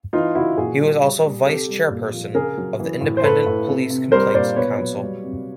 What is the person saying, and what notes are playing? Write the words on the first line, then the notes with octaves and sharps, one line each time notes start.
He was also vice-chairperson of the Independent Police Complaints Council.
E3 D#4 F4
C#3 E4 F#4
A#2 F#4 G#4
G3
G3
G3
C3 G4 A4
G3
A#2
F3
C#3 G#4 A#4
F#3
E3
A2
C5
A2 A4 B4
A2
C3
C3
G3 A#4 C5
A#2 C5 D5
B2 B4 C#5
F#3
G3
C3